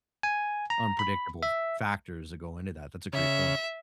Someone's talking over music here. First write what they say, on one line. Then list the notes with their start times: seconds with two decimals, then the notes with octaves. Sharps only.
unpredictable f factors that go into that, that's a great point.
0.23 G#5
0.70 A#5
0.99 B5
1.43 E5
3.13 C#3 E5